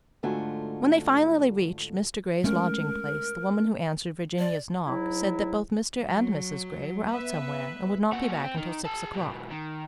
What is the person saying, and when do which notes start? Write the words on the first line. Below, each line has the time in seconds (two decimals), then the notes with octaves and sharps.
When they finally reached Mr. Gray's lodging place the woman who answered Virginia's knock said that both Mr. and Mrs. Gray were out somewhere and would not be back until six o'clock.
0.23 G#2 D3 A3 F4 F#4 G#5
2.44 G#3 A3 C#4 A#4
4.39 D5
4.86 G#2 F#3 E4
6.00 F#3
7.10 B3 B4 E5
8.13 A#2 F#4
8.44 C4
8.57 D#3
8.85 G#4 A5
9.14 G#2 B2
9.51 D#3